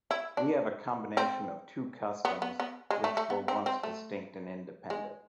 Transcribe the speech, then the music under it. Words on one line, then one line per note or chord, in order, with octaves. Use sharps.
We have a combination of two customs which were once distinct and independent.
E4
D4
C4
B3
B3
B3
G#3
A3
A3
B3
C4
C4
A3
G#3